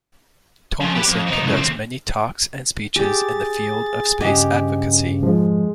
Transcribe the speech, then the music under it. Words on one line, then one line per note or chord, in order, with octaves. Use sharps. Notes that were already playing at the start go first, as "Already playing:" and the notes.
Tumlinson conducts many talks and speeches in the field of space advocacy.
F3 C#4
G4 B4
F2
F3 D#4
C#2 A2
D#2 C4
G4 G#4 A6
G2 C#3 G4 D#5 F#5 G#5
F2 G#2 F3 G#3